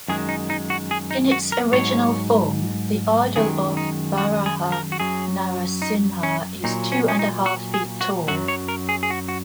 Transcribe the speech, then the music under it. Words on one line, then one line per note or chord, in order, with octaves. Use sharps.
In its original form, the idol of Varaha Narasimha is two-and-a-half feet tall.
F#2 D#3 G#3 G#4
D#4
D#4
F#4
G#4
D#4
F#4
A#4
G#2 F#3 C#5
F#2 D#3 G#3 G#4
D#4
F#4
G#4
A#4
F#4
F#2 F#3 G#4
D#4
C#4
A#2 F#3 D#4
C#4
C#4
D#4
F#4
G#4
F#4
F#2 F#3 F#4
C#5
A#4
G#4
G#4
F#4
F#4